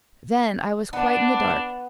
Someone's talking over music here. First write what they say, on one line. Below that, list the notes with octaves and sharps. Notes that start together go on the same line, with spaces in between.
Then I was quite in the dark.
B3 D4